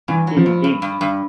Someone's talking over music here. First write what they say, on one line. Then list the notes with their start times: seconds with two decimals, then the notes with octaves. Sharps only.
human being.
0.08 G2 E3
0.27 F#3
0.37 F3
0.46 G2
0.64 G2
0.82 G2
1.01 G2